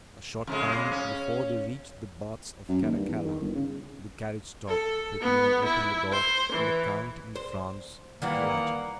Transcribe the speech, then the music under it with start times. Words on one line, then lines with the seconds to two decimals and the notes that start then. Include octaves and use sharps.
A short time before they reached the Baths of Caracalla the carriage stopped, Peppino opened the door, and the count and Franz alighted.
0.47 F2 C#3 G#3
0.92 C#4
2.69 F#2
2.82 D#2
2.96 G2
3.09 E2
3.25 D#3
3.41 G1
3.55 C#3
4.68 A4
5.21 B3
5.64 E4
6.12 C5
6.52 E3
7.36 C5
8.22 D#3 E3 G3 A#3 F#5